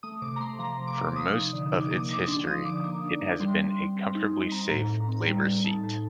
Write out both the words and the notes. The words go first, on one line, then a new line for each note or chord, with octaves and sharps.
For most of its history, it has been a comfortably safe Labor seat.
A3 D#6
C3 D6
A#5
A3 C6
F3 A#5
C3
D6
C3
F3 D#6
D#4
D3
D#4 D6
D6
A#3
D#6
D#4 D6
D4 C6
F3 D#6
D3 D6
A#3
D4
A#3
G3 C6
C4
G3
C4
D#4
D#4
C4 A#5
A2
A2
C4
G3
A2
D#4 A5
A2